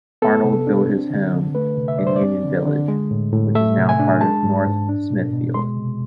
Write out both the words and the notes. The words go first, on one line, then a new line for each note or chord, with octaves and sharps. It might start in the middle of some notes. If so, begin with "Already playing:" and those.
Arnold built his home in Union Village, which is now part of North Smithfield.
B3 A4
C3
D4
C4
D3
D3
A3 B4
C3
E5
D4 D5
C5
D5
C4
D3
D3
G#3
A2
A2
A3 E5
C3
G#5
D4
G#3 A5
G#2
G#2
D4
B2
B2
G#3 C6
C3